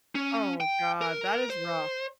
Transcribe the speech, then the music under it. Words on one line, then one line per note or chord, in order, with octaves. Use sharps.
Oh god, that is rough.
C#4
G5
A#4
C5